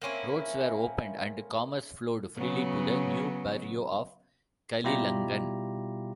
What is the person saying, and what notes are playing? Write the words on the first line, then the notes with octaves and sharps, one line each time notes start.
Roads were opened and commerce flowed freely to the new barrio of Kalilangan.
A#3 C4 C#4 E4
C#3 F#3 B3
B2 G3 E4 F4 G4 A#5